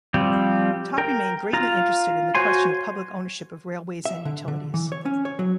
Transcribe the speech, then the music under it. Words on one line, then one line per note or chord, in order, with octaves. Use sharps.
Todd remained greatly interested in the question of public ownership of railways and utilities.
F3 G3 C4 G4
A#4 G5
F4 F5 A#5
F#4 C5 C#5 G#5 C6
E5
D3
D3
E3
C#5
C#4
C#5
F#3